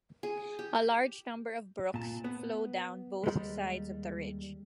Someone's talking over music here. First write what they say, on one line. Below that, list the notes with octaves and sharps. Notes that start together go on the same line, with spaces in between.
A large number of brooks flow down both sides of the ridge.
G#4
G4
A#2 A5
B3
D#2 G3 G#3